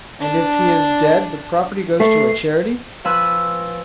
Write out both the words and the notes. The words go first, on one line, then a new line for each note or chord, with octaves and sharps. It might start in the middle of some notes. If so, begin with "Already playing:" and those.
"And if he is dead the property goes to a charity."
D4
A3 C7
F3 B4 G#5 E6 F#6